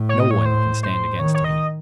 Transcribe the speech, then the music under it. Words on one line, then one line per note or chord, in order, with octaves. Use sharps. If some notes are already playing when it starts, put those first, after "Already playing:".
No one can stand against me.
Already playing: A2
C#5
D#5
C#5
C5
C5
D#3 C#5
C#5
D#5